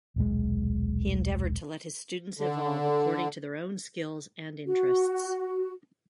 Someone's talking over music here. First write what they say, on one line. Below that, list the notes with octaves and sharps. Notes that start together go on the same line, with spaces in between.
He endeavored to let his students evolve according to their own skills and interests.
D#1 B1 G#3
D3
F#4